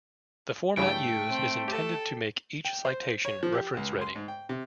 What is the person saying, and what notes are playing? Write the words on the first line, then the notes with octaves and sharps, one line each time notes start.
The format used is intended to make each citation reference-ready.
G2 C#3 E3 A3 G5
C4
G4 A4
G5
C5
C#5
F3
G4
C#2
C6
G#2
G5
C3